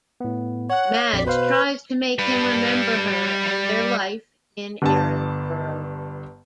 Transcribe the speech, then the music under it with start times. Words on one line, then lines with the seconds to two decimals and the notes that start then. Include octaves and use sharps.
Madge tries to make him remember her and their life in Erinsborough.
0.21 A2 B3
0.70 C#5 F#5 F#6
1.13 A#1 F2 D5 B6
1.26 B2 B4 C5 F5
2.19 G3 B4
4.82 G1 G2 A5